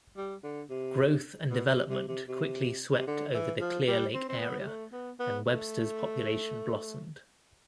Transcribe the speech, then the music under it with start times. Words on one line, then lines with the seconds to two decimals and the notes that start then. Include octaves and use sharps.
Growth and development quickly swept over the Clear Lake Area, and Webster's population blossomed.
0.17 G3
0.43 D3
0.70 C3
1.50 B2
1.69 C3
1.89 C3
2.08 C3
2.28 C3
2.97 C3
3.07 D3
3.34 E3
3.60 F3
3.87 G3
4.14 C4
4.29 C4
4.39 B3
4.59 G3
4.66 A3
4.92 B3
5.20 B3
5.46 A3